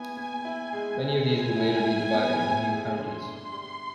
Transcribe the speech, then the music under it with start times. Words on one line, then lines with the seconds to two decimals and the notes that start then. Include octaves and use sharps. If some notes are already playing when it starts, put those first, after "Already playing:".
Many of these would later be divided into new counties.
Already playing: B3 E4 G#5
0.17 B3
0.45 E4
0.73 G#3
1.01 G#3
1.28 G#3 G#5
1.56 E4
1.84 E4
2.13 B3
2.40 E4
2.68 G#3
2.96 D3 C6
3.23 G2
3.52 G3